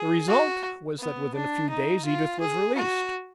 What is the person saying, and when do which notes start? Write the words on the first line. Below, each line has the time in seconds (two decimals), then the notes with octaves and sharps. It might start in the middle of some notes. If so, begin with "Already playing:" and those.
The result was that within a few days Edith was released.
Already playing: G#4
0.28 F#4
0.99 B3
1.35 D4
1.70 D#4
2.05 F4
2.41 G#4
2.76 F#4